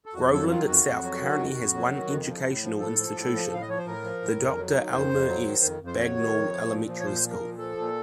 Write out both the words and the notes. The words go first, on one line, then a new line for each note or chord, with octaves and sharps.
Groveland itself currently has one educational institution, the Doctor Elmer S. Bagnall Elementary School.
A4
F2 F#4
F#3 A4
D#3 F4
F2 F#4
F2
F#3
D#3
F2
F2
F#3
D#3
F2
F3
A2
F3
A2 A4
F3
A2
F3
A2 F5
D#5
F3 C#5
C5
A2 A#4
F3
A2
F2
F#3
D#3
F2 C5
F2
F#3
D#3
F2
F2 C5
F#3 C#5
D#3
F2
F3
A#2
F3
C#5
A#2 C5
F3
A#4
A#2
F3 A4
A#2